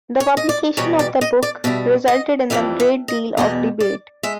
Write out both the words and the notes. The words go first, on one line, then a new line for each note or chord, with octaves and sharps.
The publication of the book resulted in a great deal of debate.
C#5
D#5
D5
E2 B2 G3 C#5
D5
D#5
D5
B2 G3 E5
D#5
F2 C#3 E3 G3 E5
E5
D#5
E2 B2 G3 D#5
D5
G#3 E5